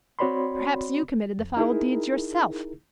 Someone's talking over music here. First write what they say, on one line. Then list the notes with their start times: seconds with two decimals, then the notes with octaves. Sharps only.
"Perhaps you committed the foul deeds yourself."
0.19 C4 F#4 C#5 D5 B5 C6
1.39 F2
1.57 D#4 E4 G#4 A#4